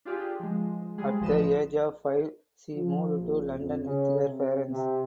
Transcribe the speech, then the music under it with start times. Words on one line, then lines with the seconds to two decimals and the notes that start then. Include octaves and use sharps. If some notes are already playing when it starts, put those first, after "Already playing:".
At the age of five she moved to London with her parents.
0.05 D4 F4 G4 G#4
0.40 F3 G#3
0.98 G3 G#3 G#4
1.20 A1 F3 B4 D#5 E7
2.74 F3
3.18 A#1
3.54 F2
3.84 C#3
4.20 C3
4.69 C3